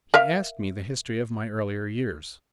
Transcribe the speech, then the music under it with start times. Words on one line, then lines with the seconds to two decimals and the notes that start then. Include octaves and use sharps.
He asked me the history of my earlier years.
0.14 A#4 E5 F5